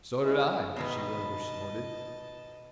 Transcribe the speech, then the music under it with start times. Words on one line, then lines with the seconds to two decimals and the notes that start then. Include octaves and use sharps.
"So did I!" She rather snorted.
0.21 G#3 E4
0.76 B2 D#3 B4 D#5 A5